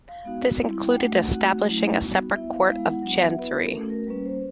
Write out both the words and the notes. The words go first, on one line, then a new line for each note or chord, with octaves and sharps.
This included establishing a separate Court of Chancery.
F5
G#3 B3 D#4 F#4 F5
G3 C4 E4
G5
A3 D4 F#4 F#5
A3 C4 D#4 F#4
F#3 A3 C#4 E4
G3 B3 D#4 F#4
B3 E4 E5
F5
G#3 B3 E4 F5
F#5
F#3 B3 D4 F#4 F#5
E5
B3 E4 B4
A#4
A3 C#4 F#4 A4
A#4
G3 A#3 C#4 B4
C5